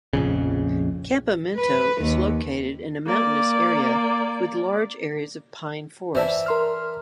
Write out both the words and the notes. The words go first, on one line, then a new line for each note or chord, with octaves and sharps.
Campamento is located in a mountainous area with large areas of pine forests.
A#1 F2 C#3
B4
D#2
A#3 D5
E3 C5 D5 E5 A5
A#4 C6 F6